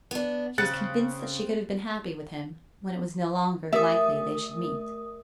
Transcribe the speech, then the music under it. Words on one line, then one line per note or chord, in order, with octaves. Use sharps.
She was convinced that she could have been happy with him, when it was no longer likely they should meet.
B3 D4
C#3 C4 F#6 A6 C#7
A3 A#4 E5 D#6